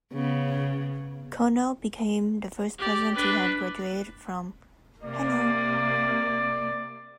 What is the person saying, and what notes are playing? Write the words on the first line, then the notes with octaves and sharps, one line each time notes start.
Konno became the first person to have graduated from Hello!
C#3 B3
G4 D5
D4 B4
C3 A#3 D5